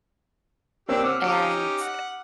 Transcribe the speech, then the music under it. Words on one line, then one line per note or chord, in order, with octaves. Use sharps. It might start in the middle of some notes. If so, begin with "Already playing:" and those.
and eh,
A#3 C4 D4 G4 C#5 E6
F#5 D6 E6 F6
C#4 D#4 G4
F#5